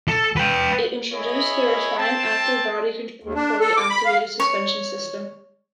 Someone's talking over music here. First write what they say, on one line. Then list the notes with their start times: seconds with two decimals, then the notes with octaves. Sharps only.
It introduced the refined Active Body Control fully active suspension system.
0.08 A4
0.37 B4 G5
1.13 E4 G#4 C#5 D#5 B5
1.98 C4 A5
3.23 D#2
3.35 D4
3.60 A4
3.77 D6
3.90 B5
4.05 F5
4.40 C#5